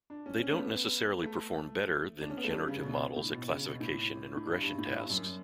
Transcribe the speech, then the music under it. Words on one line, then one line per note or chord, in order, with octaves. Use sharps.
They don't necessarily perform better than generative models at classification and regression tasks.
D4
C#4
C#4
A3
B3
A3
D4
C#4
B3
A3
G3
C#3
B2
A2
B2
C#3
B2
A2
A2
G2
G2
A2
G2
F#2